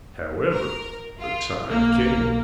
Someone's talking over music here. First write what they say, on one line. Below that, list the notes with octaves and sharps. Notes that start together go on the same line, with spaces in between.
However, the time came.
A#4
F4
B1 A#3